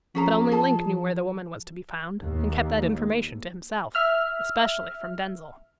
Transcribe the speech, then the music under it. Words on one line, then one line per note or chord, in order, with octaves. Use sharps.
But only Link knew where the woman was to be found, and kept that information to himself--especially from Denzil.
F3 C#4 G#4 A#5
G#4 A5
D#2
E5 F6